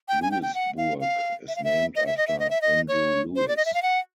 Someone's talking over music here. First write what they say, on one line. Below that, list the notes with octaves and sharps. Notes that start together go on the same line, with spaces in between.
Lewisburg is named after Andrew Lewis.
G5
G#5
G5
G5
F#5
F5
F5
E5
F5
E5
D#5
E5
D#5
E5
D#5
E5
D#5
C#5
C5
D5
D#5
E5
F5
F#5